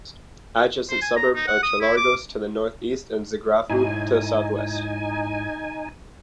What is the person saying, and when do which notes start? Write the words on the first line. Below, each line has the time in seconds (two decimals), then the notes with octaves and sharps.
Adjacent suburbs are Cholargos to the northeast and Zografou to the southwest.
0.90 C5
1.02 G#5
1.16 A#5
1.36 D#4
1.47 F#5
1.63 D#6
1.81 E4
1.97 D6
3.70 G#2 D#4 E4 G#5